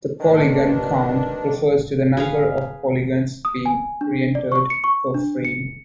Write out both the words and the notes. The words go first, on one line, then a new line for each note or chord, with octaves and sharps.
The "polygon count" refers to the number of polygons being rendered per frame.
D#2 D#3 D4 B4
G#4 B4 F5
D#6
G#5
D4
D5
C#6
C#7
C#6
D4
C#7